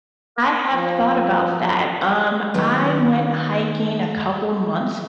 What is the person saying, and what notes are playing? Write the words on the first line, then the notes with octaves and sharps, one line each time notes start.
I have thought about that. Um, I went hiking a couple months
F3
D#3 F#3 B3